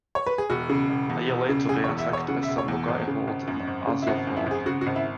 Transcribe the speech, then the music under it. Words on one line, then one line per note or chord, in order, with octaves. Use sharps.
A year later they attacked Lesser Nogai Horde and Azov Horde.
C#5
B4
G#4
E1 F#4
C#3
E1
E2
E1
C#3
E1 G#4
C#5
E2
E5
E1 C#5
C#3 F#5
E5
E1
C#5
E2
G#1
C#3
G#1
F#2
G#1
C#3
E4
G#1 F#4
F#2
E4
G#1 G#4
C#3 F#4
F#4
G#1
E4